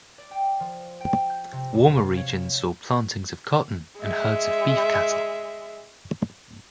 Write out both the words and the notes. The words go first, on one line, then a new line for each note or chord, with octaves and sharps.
Warmer regions saw plantings of cotton and herds of beef cattle.
D5
G5
F3
G5
G6
C3
E2
F5
C#5
G#3 E5